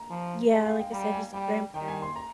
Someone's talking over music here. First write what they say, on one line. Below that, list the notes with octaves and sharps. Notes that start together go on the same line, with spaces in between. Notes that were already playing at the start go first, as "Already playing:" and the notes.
Yeah, like I said, just grandparents,
Already playing: A#5
F3
G#3 D#5
F5
G5
G3 A#5
G#5
G3 G5
D#3 G5
G#5
C6
A#5